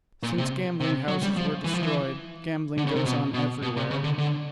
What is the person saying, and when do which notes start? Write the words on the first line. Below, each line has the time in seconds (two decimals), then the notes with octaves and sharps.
Since gambling houses were destroyed gambling goes on everywhere.
0.23 A#2
0.38 C3
0.80 C3
1.08 F#3
1.23 G3
1.37 F3
1.64 E3
1.73 F3
1.83 E3
2.77 D3
2.87 C#3
2.96 C3
3.06 B2
3.34 B2
3.62 B2
3.76 C3
3.91 C#3
4.04 D3
4.18 D3